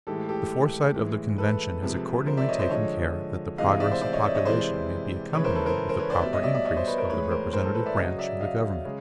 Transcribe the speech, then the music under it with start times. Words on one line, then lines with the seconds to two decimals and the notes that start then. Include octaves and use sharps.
The foresight of the convention has accordingly taken care that the progress of population may be accompanied with a proper increase of the representative branch of the government.
0.07 A2 E3 G#3 G4 A4
0.29 G4 A4
0.95 A2 E3 G#3
1.38 A4 B4
1.83 C3 F3 G#3
2.26 A#4 C5
2.37 D5 E5
2.49 C#5 D#5
2.59 C5 D5
2.70 D3 F3 G#3 C#5 D#5
3.58 C3 E3 G#3 D#5 F5
3.69 D#5 F5
3.80 D5 E5
3.91 C5 D5
4.01 C5 D5
4.13 C#5 D#5
4.23 D5 E5
4.35 C#5 D#5
4.45 C3 E3 G#3 C5 D5
5.33 C#3 E3 G#3 B4 C#5
5.44 A#4 C5
5.55 A4 B4
5.66 A#4 C5
5.89 A#4 C5
5.99 B4 C#5
6.10 C5 D5
6.22 B2 G3 D5 E5
6.33 C#5 D#5
6.43 D5 E5
6.54 D5 E5
6.65 C#5 D#5
6.76 C5 D5
6.87 B4 C#5
6.98 A#4 C5
7.10 A2 E3 G#3 B4 C#5
7.31 A#4 C5
7.53 A#4 C5
7.64 A4 B4
7.75 A4 B4
7.86 D5 E5
7.97 C#3 F#3 C#5 D#5
8.19 D5 E5
8.40 D#5 F5
8.85 C#3 G#3